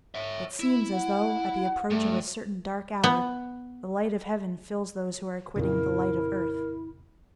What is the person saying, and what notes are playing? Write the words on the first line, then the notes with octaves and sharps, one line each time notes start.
It seems as though, at the approach of a certain dark hour, the light of heaven fills those who are quitting the light of earth.
C#5 E5
E4
F#5
G2 A3
B3
F2 A#2 C#3 E4 A#4